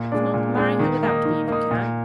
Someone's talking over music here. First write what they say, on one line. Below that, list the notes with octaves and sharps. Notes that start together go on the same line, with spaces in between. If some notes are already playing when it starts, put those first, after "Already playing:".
If not, marry her without me if you can.
Already playing: A#2
G#3 D4
A#2
G#3 D4
D#3
A#3 D#4
D#3
A#3 D#4
A#2